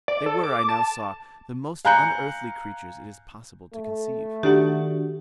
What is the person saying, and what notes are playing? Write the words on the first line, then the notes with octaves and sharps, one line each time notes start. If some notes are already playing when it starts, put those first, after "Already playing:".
They were, I now saw, the most unearthly creatures it is possible to conceive.
D5
A4
D6
A5
F5 G#5 A#5 F#6 G6 C#7
A3
D#3 D4 F#4 G4